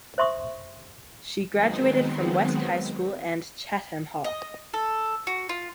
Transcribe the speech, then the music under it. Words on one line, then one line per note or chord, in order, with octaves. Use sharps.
She graduated from West High School and Chatham Hall.
C5 E5 C6 C#6 D#6
D#3 F#3 G#3 B3 C4
D#5
A4
F#4
F4